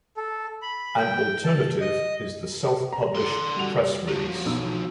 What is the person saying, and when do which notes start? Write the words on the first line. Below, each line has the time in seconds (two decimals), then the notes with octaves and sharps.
An alternative is the "self-published press release".
0.17 A4
0.63 B5
0.99 G5
1.44 A5
1.81 D#5
2.93 A#5
3.15 D3 C6
3.56 G3 F#4 F7
4.08 F3 F#3
4.45 B1 D#4 E6